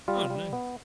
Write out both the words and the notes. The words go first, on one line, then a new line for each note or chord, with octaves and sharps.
Oh, nice.
G3 F4
G3
B3